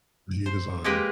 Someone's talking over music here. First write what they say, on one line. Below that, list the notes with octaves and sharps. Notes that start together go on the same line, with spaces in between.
The Heat Is On.
C5
G#3 A#3 G4 A#4 B4